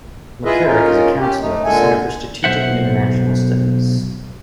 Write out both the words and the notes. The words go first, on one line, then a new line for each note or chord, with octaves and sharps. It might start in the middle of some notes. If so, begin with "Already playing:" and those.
McCarrick is a counselor at the Center for Strategic and International Studies.
E4 F4 G#4 B4 D#5 E5
C#4 D#4 F4 A#4
C#4 G4
A3 D#4
A#2 D3 G#3 A4 G#5
B1 C5 E5 F#5